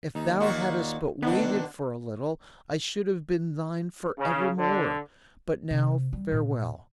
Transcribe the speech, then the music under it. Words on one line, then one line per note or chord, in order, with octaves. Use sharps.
If thou hadst but waited for a little, I should have been thine for ever more, but now farewell!
D#2 D#4
A#2 D#4 F#4
B2 D3 D#3 B3 D4
C#3
D3
C3
G3
A#2